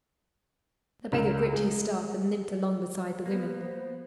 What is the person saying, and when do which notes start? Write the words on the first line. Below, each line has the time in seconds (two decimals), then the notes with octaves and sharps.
The beggar gripped his staff and limped along beside the women.
1.12 C#2 A#4 E7
1.53 G#3
3.26 A#3 B3 B4
3.58 C5